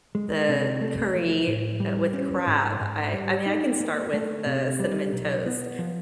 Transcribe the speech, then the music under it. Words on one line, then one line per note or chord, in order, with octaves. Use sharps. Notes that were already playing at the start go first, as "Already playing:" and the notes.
the curry, uh, with crab, I I mean I can start with the cinnamon toast,
G#3
C3
A3
F3
A2
G3
C#4
G#2
G#2
G3
D#4
A#3
A3
C3
G3
B1
B3
F3